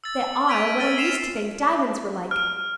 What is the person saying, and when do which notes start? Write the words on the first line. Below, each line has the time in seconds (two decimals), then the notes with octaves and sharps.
They are what I used to think diamonds were like.
0.04 E6 A6
0.47 F6 G#6 B6 D7 D#7 F7
0.80 E6 F6 A6 D#7
0.96 E6 C7 E7 F7
2.31 F6